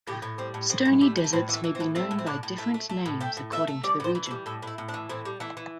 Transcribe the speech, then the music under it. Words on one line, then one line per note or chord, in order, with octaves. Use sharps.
Stony deserts may be known by different names according to the region.
A2 G4
A2
G3 C4
A2
A2 C4
A2
G3 A3
G3
A3
A2 C4
E3 A3
E3
C4
A2
A3 C4
A2
C4
A2 D4
A2
A3
A3
A3
A2
A3 G5
A2
A3 E5
A3
G3 D5
A2 C5
E3
A4
G3
A2 A4
A2 E4
A2
D4
E3
A2 C4
G3
E3 A3
E3